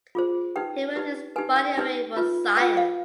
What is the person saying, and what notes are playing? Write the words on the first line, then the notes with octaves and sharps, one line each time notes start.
He willed his body away for science.
F4 G#4 C5
D#4 G4 B4 G5
D#4 G4 B4
D#4 G4 B4 G#5
G5
D#4 G4 B4
F4 B4
F4 B4 G5
F5